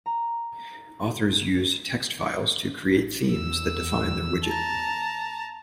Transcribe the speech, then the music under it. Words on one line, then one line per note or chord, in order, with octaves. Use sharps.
Authors use text files to create themes that define their widget.
A#5
A1
E2 E6
A5 A#5